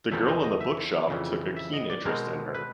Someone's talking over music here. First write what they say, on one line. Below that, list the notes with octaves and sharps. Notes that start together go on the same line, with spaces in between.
The girl in the book-shop took a keen interest in her.
E2 C#3 F3 A3 C4 E5
D#5
D#5
E5
F2 C#3 E3
E5
D#5
D5
B2 G#3 C4 A#4
B4